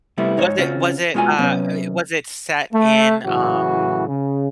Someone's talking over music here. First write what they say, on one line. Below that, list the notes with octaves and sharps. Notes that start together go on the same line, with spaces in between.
Was it was it, uh eh, was it set in, um,
C3 G3 A3 B3 E4
G#2 D#4 C#5
C#3 C4 C#4 F4 F#4
B2 G#3 A3 F4 F#4 G#5
C3 F#3 B3 C#4
A3
A2 C#3 E3 F#3 F#4
C#3